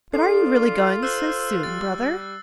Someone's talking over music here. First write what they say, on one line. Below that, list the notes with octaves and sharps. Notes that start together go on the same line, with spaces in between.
"But are you really going so soon, brother?"
D4 F4 A4 C7
C5 E6 F#6
G3 A6